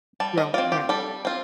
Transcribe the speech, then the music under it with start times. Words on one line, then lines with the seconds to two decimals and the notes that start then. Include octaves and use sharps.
Growing, right.
0.20 G3 A5
0.38 D#5
0.54 F4 D5
0.58 C4
0.72 G4
0.89 G3 A4
1.25 C4 F4